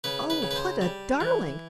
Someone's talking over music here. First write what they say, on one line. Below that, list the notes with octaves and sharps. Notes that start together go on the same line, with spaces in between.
Oh! what a darling!
C#3 B4
B4
C#3
B4
C5
G3
E3